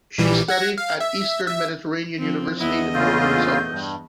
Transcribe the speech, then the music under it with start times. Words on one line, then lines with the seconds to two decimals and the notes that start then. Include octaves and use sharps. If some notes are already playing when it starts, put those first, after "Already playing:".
She studied at the Eastern Mediterranean University in Northern Cyprus.
0.18 A#1 E3 G3
0.48 F#5 G#6 A#6
0.78 F5
1.00 E5
1.48 E5
2.19 F3 C4
2.60 E2 B3 E4 D#5
2.94 A#2 C#3 A3 D4 F4 G6
3.70 G2